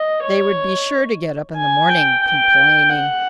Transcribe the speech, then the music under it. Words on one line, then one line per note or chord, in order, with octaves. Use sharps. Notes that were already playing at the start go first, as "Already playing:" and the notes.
They would be sure to get up in the morning complaining.
Already playing: D#5
C#5
G#5
G5
G5
F#5